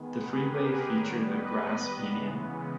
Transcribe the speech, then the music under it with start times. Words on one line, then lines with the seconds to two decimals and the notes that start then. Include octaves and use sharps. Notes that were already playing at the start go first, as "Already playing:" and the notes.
The freeway featured a grass median.
Already playing: D#3 G#3 B3
0.12 G#4 B4
0.40 G4 A#4
0.69 G#4 B4
0.97 D#3 G3 B3 A#4 C#5
1.25 B4 D#5
2.11 C#3 E3 G#3 B3